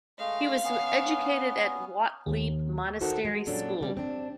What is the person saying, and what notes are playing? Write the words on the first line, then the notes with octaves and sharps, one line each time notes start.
He was educated at Wat Liep Monastery Sch.
G#3 A3 D#5 F5
B3 C#4
D#2
D#4 F#4 A4 A#4 C5
G#3
A#2 F#3 C#4 D4 A4
C#3 G3 C4
C4 D4